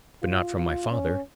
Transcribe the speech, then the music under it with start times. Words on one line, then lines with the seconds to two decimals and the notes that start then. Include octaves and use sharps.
But not from my father.
0.22 F4
0.56 F4
0.90 C#4